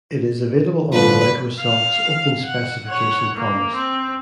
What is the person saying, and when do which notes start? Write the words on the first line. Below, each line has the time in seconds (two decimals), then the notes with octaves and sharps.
It is available under Microsoft's Open Specification Promise.
0.93 G2 D3 F3 B4
1.60 F5
2.44 F#5
2.89 C#5 F#5
3.35 A#3
3.75 C4